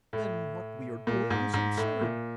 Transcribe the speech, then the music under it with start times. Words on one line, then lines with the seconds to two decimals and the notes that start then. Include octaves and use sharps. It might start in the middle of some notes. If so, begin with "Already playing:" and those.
"Then what we are doing is absurd!"
0.13 A2
1.07 A#2
1.30 G#2
1.54 G#2
1.77 A2
2.01 A#2